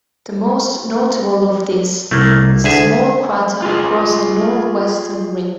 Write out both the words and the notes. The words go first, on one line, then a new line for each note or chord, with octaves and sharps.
The most notable of these is a small crater across the northwestern rim.
C2 A3 A#3
D2 D3 G#4 E5
F4 G#4